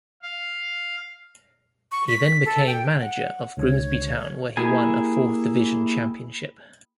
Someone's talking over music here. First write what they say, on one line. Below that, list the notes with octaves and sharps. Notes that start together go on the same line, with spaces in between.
He then became manager of Grimsby Town, where he won a Fourth Division championship.
F5
C#6
B6
A4
G5
F#5
C#2 D3 C#5
A#3 E4 G4 G#4 G#5